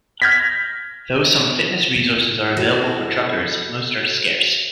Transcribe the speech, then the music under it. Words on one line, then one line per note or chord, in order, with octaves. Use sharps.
Though some fitness resources are available for truckers, most are scarce.
F6 G6 G#6 A#6 B6
E4 F#4 A4